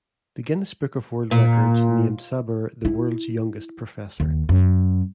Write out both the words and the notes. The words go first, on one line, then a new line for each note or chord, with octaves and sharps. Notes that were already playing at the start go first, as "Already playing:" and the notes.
The "Guinness Book of World Records" named Sabur the World's Youngest Professor.
A#2
E4
D#2
F#2